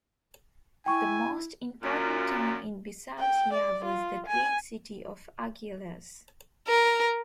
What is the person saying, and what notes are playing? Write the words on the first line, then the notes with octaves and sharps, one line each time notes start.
The most important town in Bisaltia was the Greek city of Argilus.
E4 G5 G#5 C#6
F#2 A#2
G5
D5
F4
G#5
A#4